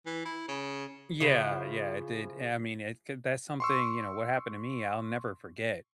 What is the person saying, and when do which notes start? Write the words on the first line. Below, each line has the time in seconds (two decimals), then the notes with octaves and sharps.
Yeah, yeah, it did, I mean, it c that's something, you know, what happened to me, I'll never forget,
0.06 E3
0.25 E4
0.48 C#3
1.20 C#3 F3 E4
3.60 C6 C#6 E6